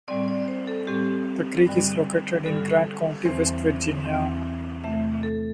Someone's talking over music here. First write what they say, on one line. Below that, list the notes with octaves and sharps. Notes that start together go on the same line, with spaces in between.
The creek is located in Grant County, West Virginia.
A2 G3 C4 D5
D5
C5
A4
A2 G3 C4 G4
G2 D3 G3
G2 D3 G3 A4
E2 E3 C4 C5
E2 E3 C4
E2 C3 A3 E5
A4